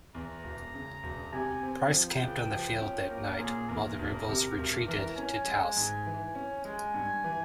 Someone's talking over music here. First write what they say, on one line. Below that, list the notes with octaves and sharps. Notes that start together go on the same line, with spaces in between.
Price camped on the field that night while the rebels retreated to Taos.
E2 A#5
E1
C#3
E1
C3 G#5
C4
F3 G5
C#2
F3
C#4
A#3 A#4
A#2 G#4
E2 A#4
E1
C3
E1
E3 A#4
C#4 G#5
G#3
G#2
E3
C#4
G#3 G#5
G2
E3